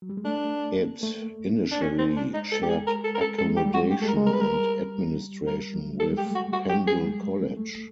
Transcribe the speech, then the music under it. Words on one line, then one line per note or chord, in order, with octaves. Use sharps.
It initially shared accommodation and administration with Pendle College.
F#3
G3
G#3
A3 D4
A#3
A3
D4
C#4
C4
D4
G#3 D#4
A4
G#3 G4
G#4
A#4
A4
A#4
A4
G#3 A4
G4
G3
F#4
A3 G4
G#3 A4
A#4
G#3
A#4
G3 B4
A#4
G3 A#4
F#3
G3 A4
G#3 G4
A3
F#4
G3 F#4
F#3 G4
G3 G#4
G#3
A3